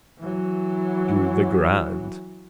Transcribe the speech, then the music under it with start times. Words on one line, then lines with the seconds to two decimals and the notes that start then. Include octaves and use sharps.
Do the grand.
0.19 E3 F#3